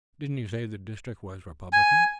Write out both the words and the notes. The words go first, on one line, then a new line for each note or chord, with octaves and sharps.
"Didn't you say the district was Republican?"
G#5